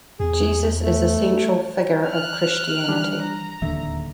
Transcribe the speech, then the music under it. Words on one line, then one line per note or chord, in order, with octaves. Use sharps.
Jesus is the central figure of Christianity.
E2 G#4
A3
F6 F#6
E3 G3 D4
A#5
D1 D#2 D3 E5